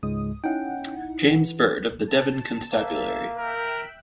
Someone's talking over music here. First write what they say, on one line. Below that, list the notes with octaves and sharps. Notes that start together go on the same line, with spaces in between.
James Bird of the Devon constabulary.
C#2 G#2 G#3 D#6
C#4 D#4 E4 F#5 G5
E3
A5
A#3 E5 A5
A#4 E5 G5 F#6